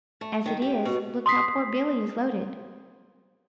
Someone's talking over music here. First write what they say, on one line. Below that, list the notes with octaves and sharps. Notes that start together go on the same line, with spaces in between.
As it is, look how poor Billy is loaded.
A3
D#3
G4
B2
C6 D#6 B6 C7